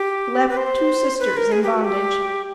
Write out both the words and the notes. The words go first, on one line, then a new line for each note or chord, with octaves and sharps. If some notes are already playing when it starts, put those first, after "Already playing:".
Left two sisters in bondage.
Already playing: G4
B4
C5
B4
A#4
G#4
G4
F#4
G4